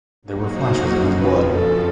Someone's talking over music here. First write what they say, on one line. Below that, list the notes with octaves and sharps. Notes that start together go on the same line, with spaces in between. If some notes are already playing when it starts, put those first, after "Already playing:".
There were flashes in his blood.
F#3 A#3 D#4 F#4
C5
F2 C#3 F3
B4
F#2 C#3 F3 A4